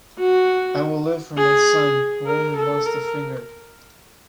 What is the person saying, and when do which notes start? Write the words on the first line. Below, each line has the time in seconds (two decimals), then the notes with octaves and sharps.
I will live for my son, who only lost a finger.
0.19 F#4
1.38 G#4
2.27 A#4
2.57 A4
2.86 A#4